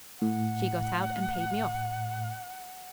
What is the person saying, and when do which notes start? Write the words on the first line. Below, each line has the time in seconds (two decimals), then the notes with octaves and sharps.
She got out and paid me off.
0.22 A2 F#5